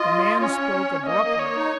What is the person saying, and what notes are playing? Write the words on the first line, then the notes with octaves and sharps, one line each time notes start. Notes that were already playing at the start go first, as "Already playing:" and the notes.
The man spoke abruptly.
Already playing: F4 D#5
C#4 C#5
C#4
A#3 D#5
A#3
A#3 C#5
D#4